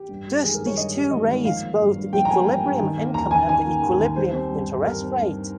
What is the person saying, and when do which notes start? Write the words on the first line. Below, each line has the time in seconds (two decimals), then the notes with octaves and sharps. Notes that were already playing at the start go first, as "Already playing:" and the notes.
Thus these too raise both equilibrium income and the equilibrium interest rate.
Already playing: G4
0.09 G2
0.27 G3
0.43 G#1 G#4
0.54 A#4
0.61 G#1
0.66 C#5
0.77 G2 D#5
0.95 G3
1.11 G#1 D#5
1.28 G#1
1.45 F3 F5
1.61 A#3
1.80 G2
1.97 G2
2.13 F3 G5
2.25 A#5
2.30 A#3 G#5
2.47 G2
2.64 G2
2.80 D#3
2.97 A#3
3.14 D#2 A#5
3.31 D#2 G#5
3.49 D#3 G#5
3.65 A#3
3.83 D#2
3.99 D#2
4.16 G3 C5
4.33 C4
4.50 G2
4.68 G2
4.84 G3 A#4
5.02 C4
5.18 G2